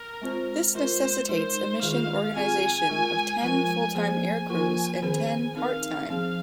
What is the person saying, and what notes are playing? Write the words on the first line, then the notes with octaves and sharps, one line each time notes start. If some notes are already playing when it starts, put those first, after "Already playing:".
This necessitates a mission organization of ten full-time aircrews and ten part-time.
Already playing: A#4
G#3 C4 F4 C5
G#3 F4 A#4 C5
G#3 D#4 A#4 C5
D#3 G#3 F4 G#4 F5
C4 F4 G#4 G#5
G#3 F4 A#4
F3 G#3 F4 A#4 G#5
F3 A#3 G#4 C5 G#5
F3 A#3 F4 A#4 G#5
D#3 C4 G#4 C5 G#5
C4 D#4 A#4 F5
F3 C4 G#4 F5